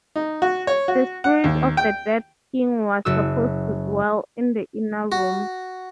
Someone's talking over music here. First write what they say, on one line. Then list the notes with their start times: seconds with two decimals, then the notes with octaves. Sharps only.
The spirit of the dead king was supposed to dwell in the inner room.
0.16 D#4
0.42 F#4
0.67 C#5
0.88 F#4
1.24 F#5
1.44 D#2
1.77 G5
3.05 F#1 F#4 E6
5.12 F#4